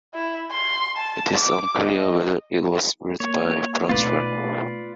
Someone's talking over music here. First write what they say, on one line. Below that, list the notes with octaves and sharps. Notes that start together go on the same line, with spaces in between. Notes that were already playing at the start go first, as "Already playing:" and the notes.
It is unclear whether it was ruled by Brochwel.
E4
C6
A5
D6
D#5
A#3 C#5
B2 A3 B3 D#4 F4 B4 D5